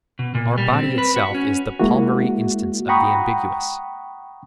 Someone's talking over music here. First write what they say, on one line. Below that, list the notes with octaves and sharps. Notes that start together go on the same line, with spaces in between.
Our body itself is the palmary instance of the ambiguous.
B2
A#2
G3
C4
B4
F#4
C#4
G#3 A#3 E4 F#4
F#5 G5 A#5 B5 C#6 D#6